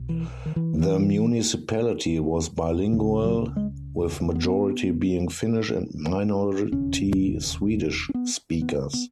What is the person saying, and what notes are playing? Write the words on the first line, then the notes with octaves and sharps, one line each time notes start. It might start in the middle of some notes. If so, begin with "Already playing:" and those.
The municipality was bilingual, with majority being Finnish and minority Swedish speakers.
Already playing: B1 B2
E3
D#3
E3
C#2 C#3 E3
F#3
G#3
B3
E1 D#2 C#3 C#4
C#4
B3
B3
B3